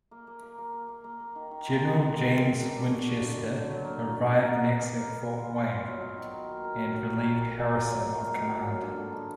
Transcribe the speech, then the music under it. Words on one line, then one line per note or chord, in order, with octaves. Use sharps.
General James Winchester arrived next at Fort Wayne, and relieved Harrison of command.
A#3
A#3
A#3
A#3
A#3
A#3
A#3
A#3
D#3
D#3
G#3
G#3
D#3
D#3
G#3
D#4
D4
D4
F#4
F#4
D3
D3
F#3
F#3
A#3
A#3
D#4
F5
D#4
D#4
A#3
A#4
B3
B3
F4
F4
F4
F#3
B3
D#3
A#4
A#3
A#4
F#4
D#4
A#3
A#4
A#4
A#2
A#2
F#3
A#3
A#3
D#4
A#2
F#3
D3
D3
B3